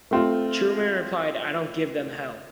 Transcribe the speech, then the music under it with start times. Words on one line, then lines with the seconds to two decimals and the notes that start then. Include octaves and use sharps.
Truman replied, I don't give them Hell.
0.11 A3 C4 F4